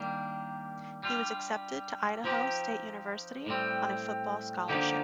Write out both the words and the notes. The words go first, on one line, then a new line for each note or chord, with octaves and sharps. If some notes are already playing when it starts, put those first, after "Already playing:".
He was accepted to Idaho State University on a football scholarship.
Already playing: D#3 G3 A#3 D4
G3 D4 F4
F3 C4 D#4 G4
A2 G3 C4
D3 F3 A#3 D#4 G4